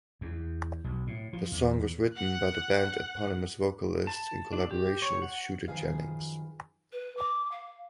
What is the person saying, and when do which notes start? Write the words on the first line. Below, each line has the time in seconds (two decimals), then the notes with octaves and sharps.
The song was written by the band eponymous vocalist in collaboration with Shooter Jennings.
0.21 E2
0.84 B1
1.07 A2
1.33 F3
1.52 E2
2.14 F#5 F#6
4.07 A5
4.53 D4
4.71 G4
5.02 C#5
5.22 F#5
5.68 F#2 D#3 F3 G#4 B4 F5
6.92 B4
7.17 D6
7.52 F5